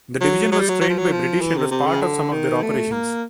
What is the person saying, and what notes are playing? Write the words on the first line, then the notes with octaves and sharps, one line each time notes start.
The division was trained by British and was part of some of their operations.
F#3
F#3
G3
F#3
F#3
F3
F#3
F3
E3
C3
C3
C#3
D3
D#3
A3
A#3